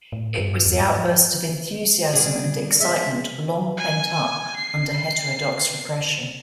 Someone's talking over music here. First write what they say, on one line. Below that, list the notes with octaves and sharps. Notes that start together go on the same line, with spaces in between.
It was the outburst of enthusiasm and excitement long pent up under heterodox repression.
A2
G2
E2
G#2
F3
B2 G3 D4 G#4
G#3 E5
G#5
C7